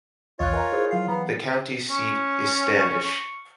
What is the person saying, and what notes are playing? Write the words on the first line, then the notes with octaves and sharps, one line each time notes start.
The county seat is Standish.
B1 E2 F4 C#5 D#5 F#6 A6
A#4 D#5 G#5 A#5
E4 G#4 C5
F#3 F4 F5 C7
E3 B3 A#5
C#4 C#6